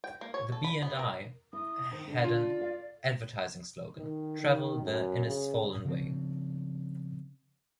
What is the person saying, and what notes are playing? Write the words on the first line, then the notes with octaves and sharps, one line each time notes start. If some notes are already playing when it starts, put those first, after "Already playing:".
The B and I had an advertising slogan: "Travel the Innisfallen Way".
G5
A#3
C#5
A4
B5
B3
A#4
E4 D#6
D#3 C5
D3
F4 D5
F5
D#3
D#3
F#2
C#3
C#3 F3 C4